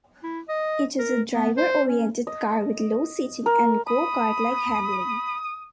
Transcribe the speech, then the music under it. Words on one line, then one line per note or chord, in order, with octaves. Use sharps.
It is a driver oriented car with low seating and go kart like handling.
E4
D#5
A#4
B3
C5
C#4
D#5
A#4
B5 D#6